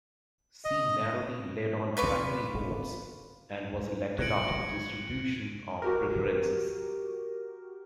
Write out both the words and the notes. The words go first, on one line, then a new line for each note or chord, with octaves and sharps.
She narrowly led on primary votes and was elected after the distribution of preferences.
D#5
F4 B4 C#6 D6
F#6 G#6 A#6 C#7 D7 F#7
F#4 G4 A#4